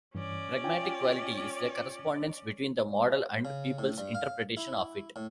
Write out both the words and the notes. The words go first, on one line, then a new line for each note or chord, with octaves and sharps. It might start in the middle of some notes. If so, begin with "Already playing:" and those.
Pragmatic quality is the correspondence between the model and people's interpretation of it.
G2 E3 C#4 D5
F4 G5 G#5
C#3
A2
G2
F5
E4
A2